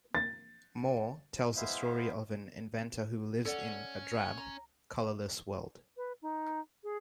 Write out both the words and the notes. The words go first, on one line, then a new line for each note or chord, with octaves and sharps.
"More" tells the story of an inventor who lives in a drab, colorless world.
A6
G#3 B3 E4 C5 E5 F5
C#4 A4 D5 F#5
A#5
B4
D#4
G#4